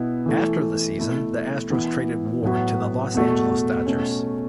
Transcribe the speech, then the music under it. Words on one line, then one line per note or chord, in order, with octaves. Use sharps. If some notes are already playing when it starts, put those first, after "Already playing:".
After the season the Astros traded Ward to the Los Angeles Dodgers.
Already playing: B2 B3 E4
E3 A3 E4
B2 A3 E4
E3 B3 E4
A2 F#3 B3 F#4
E2 B2 A3 F#4
B2 A3 C#4